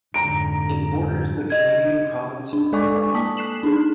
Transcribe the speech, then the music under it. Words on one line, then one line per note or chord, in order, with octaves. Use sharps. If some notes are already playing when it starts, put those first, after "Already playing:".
It borders the Canadian province of New Brunswick.
F2 G#2 D3 A#5 D7
D#5 G#6
D4
G#3 A4 D5 G#5 C#6 D6
A#3 A5 D#6 B6
F#6 C7 E7 F#7
D4 D#4 G#4